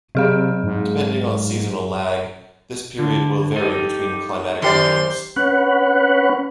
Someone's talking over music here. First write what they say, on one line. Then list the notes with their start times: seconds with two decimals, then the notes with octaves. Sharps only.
Depending on seasonal lag, this period will vary between climatic regions.
0.15 C3 F#3 G#4 F5
0.64 G#2
2.99 D3 A5
3.56 D#4 G4 A4
4.62 F#2 D#3 G4 C5 D5 C6
5.36 C#4 B4 F#5